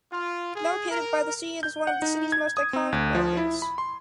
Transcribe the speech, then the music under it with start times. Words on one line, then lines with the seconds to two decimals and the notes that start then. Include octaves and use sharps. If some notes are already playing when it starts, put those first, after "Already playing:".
Located by the sea, it is one of the city’s most iconic buildings.
0.12 F4
0.55 G#4
0.91 A#4
1.63 G6
1.87 F#5
2.02 D#4
2.32 G#6
2.57 D#6
2.73 C4
2.92 D2
3.15 F3
3.37 E4
3.62 B5
3.78 C6